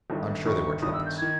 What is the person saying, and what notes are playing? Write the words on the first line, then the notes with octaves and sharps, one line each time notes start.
I'm sure they were trumpets.
G1 G2 D#3
G1 G2 D#3 C#6
G1 G2 D#3 D#6
E6
G6
D#3 G#6